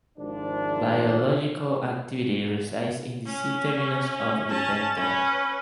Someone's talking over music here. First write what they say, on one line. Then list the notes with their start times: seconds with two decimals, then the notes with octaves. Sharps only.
Biological activity resides in the C-terminus of the peptide.
0.18 G#1 C3 F3 D4
3.26 C#4
4.49 C#4 A5
4.96 C#4 B4